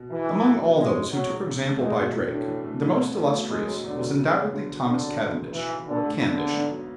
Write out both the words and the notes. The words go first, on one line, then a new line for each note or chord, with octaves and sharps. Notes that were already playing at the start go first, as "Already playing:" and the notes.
Among all those who took example by Drake, the most illustrious was undoubtedly Thomas Cavendish or Candish.
Already playing: B2
B1 E3
A3
B2
F#3
B1 G#3
C#4
B2 F#3
G#3
E1
A3
E2 G#3
B2
F#2 A2
D4
E3
A3
A1 B2
B3
A2 A3
F#3
E1 G#3
F#3
E2 D3
B2
D2 C#3
B3
D3
F#3
E1 D3
F#3
D2
C#3
B1 E3
B1
B2 D3
A3
A1 D3
B3
G#2
F#3